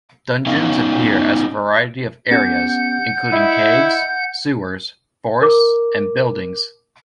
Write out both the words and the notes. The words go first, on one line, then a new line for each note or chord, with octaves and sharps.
Dungeons appear as a variety of areas, including caves, sewers, forests, and buildings.
B3 C#4 D#4 F5
B3 C#4 G4 F#5 G6
E4 D#5 E5
A#4 D6